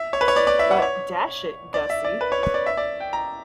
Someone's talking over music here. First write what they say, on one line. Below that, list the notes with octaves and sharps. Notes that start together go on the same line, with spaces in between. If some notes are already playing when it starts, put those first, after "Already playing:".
But, dash it, Gussie.
Already playing: E5
C#5
B4
C#5
D5
D5
E5
F#5
C#5
D5
E5
D5
B4
C#5
C#5
D5
E5
D5
G5
A#5